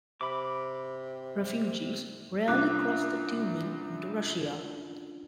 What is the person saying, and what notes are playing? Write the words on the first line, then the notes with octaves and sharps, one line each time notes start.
Refugees rarely cross the Tumen into Russia.
C3 B5 D6
C2 C#4 D4 F4 D6 F#6